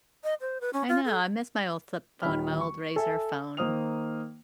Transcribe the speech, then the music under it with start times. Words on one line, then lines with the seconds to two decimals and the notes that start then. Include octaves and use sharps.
I know, I miss my old flip phone, my old razor phone.
0.24 D#5
0.41 C5
0.61 B4
0.73 C#4
0.89 F4
1.05 A4
2.22 D#1 D#3 B5 F6
2.61 C#6
2.96 A4 E5 G#5
3.57 D#3 A#3 C5 D#6 F6 F7